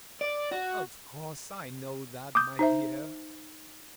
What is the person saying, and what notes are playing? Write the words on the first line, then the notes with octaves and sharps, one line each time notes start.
'Of course I know that, my dear.
D5
F#4
D6 D#6 G6
D#4 C5 E5